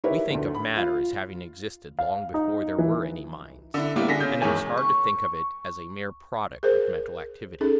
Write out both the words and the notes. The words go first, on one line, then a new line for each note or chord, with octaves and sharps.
We think of matter as having existed long before there were any minds, and it is hard to think of it as a mere product of mental activity.
D#4 E4 G4 A#4 B4 C#5
D2 D3
B5
F4 F5
F5
D#4
E3
D3 E4
A2 G3 A#3 B3 E4
D3 G#4 A#6 B6
C#3 G6
F#1 E2 D#3 G#3 C#5 G#5
C#6
G#4 A#4 C5
C#4 D#4 G#4 A4